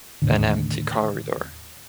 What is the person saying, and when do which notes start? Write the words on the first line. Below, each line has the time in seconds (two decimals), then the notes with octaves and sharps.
An empty corridor.
0.22 D#2 A2 D3